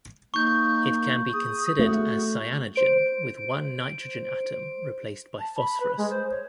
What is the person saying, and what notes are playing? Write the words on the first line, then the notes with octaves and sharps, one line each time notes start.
It can be considered as cyanogen with one nitrogen atom replaced by phosphorus.
A#3 D#4 C#6 G6
G#4 D#6
A3 F#4
C5 D7
A5
B5
B4
G#3
C5
C#5